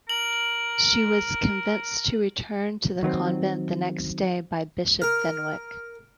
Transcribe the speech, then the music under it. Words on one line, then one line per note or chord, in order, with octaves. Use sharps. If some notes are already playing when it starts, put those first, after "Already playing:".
She was convinced to return to the convent the next day by Bishop Fenwick.
A#4 F#7
D#3 F#3 B3 C4
A#4